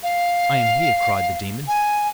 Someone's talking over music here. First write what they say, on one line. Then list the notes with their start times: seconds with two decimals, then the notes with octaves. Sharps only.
"I am here!" cried the demon.
0.03 F5
1.68 G#5